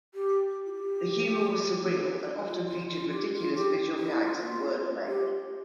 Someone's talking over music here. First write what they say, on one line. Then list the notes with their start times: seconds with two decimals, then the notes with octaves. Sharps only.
The humour was surreal and often featured ridiculous visual gags and wordplay.
0.14 G4
0.66 F4
0.73 G4
2.47 F4
2.68 F4
2.90 F4
3.11 G4
3.34 F4
3.55 G4
3.99 E4
4.21 F4
5.08 G4